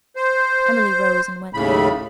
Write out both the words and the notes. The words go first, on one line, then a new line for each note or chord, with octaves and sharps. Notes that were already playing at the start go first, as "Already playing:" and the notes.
Emily rose and went home.
C5
D#2 A2 C#3 B5